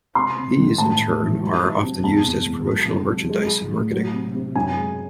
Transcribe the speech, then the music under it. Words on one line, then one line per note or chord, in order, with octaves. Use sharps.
These, in turn are often used as promotional merchandise in marketing.
C3 C6
C3
D#3
A2 A5
A2
E3
F#3
F#3
C3
E2 A5
E2
E2
F#3
C3
F#3
G#3
G#3
A2
F#3
C3
C3
F#2 G#5
G#3